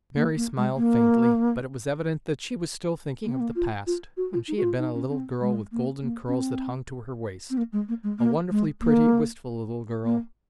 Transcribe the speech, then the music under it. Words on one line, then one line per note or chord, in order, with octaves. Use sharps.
Mary smiled faintly but it was evident that she was still thinking of the past, when she had been a little girl with golden curls that hung to her waist; a wonderfully pretty, wistful little girl.
A#3
A#3
G#3
A#3
A#3
C4
A#3
F4
F4
F#4
F4
D#4
F#4
F4
D#4
C#4
C4
G#3
A#3
A#3
C#4
C4
C4
A#3
G#3
A#3
G#3
A#3
G#3
A#3
A#3